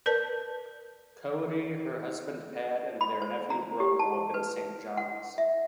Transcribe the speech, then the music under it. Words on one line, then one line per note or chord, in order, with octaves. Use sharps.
Coady, her husband Pat and their nephew Brook live in Saint John's.
A#4 B4 D5 A5
B5
C5
A#5
G4
A5
B4
F#5
E5